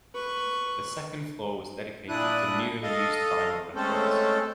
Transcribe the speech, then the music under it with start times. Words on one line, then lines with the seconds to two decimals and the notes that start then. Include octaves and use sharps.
The second floor was dedicated to new and used vinyl records.
0.15 B4 C#6
2.09 A#2 D4 E4 D#6 F#6
2.83 A4 D#5 F5
3.76 G#3 A3 C4 C#4 A4 C5